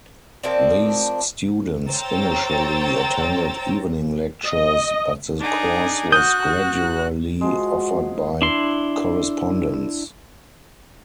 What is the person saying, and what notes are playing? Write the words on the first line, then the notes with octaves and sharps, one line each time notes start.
These students initially attended evening lectures but the course was gradually offered by correspondence.
F3 A#3 C4 D4
C5 C#5 G5 A#5 E6 A6
D#5
D4 D#4 G#4
F#4 D#6 F#6 G6
F3 G#3 F#4
D4 E4 C6